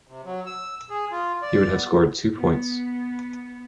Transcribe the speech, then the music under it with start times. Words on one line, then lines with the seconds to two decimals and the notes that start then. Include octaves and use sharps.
He would have scored two points.
0.08 C3
0.25 F#3
0.46 E6
0.90 G#4
1.11 F4
1.42 D5
1.73 B3
2.33 B3